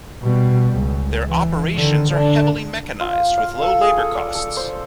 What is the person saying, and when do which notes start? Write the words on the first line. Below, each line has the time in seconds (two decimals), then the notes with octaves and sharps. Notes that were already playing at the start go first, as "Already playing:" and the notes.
Their operations are heavily mechanized with low labor costs.
0.22 B2 G3
0.75 C#2
1.27 E3
1.75 D3 D#3
2.10 D3 D4
3.00 F4
3.37 F5
3.62 A4
3.81 G#4
3.98 A4
4.15 D5
4.35 A4
4.57 C5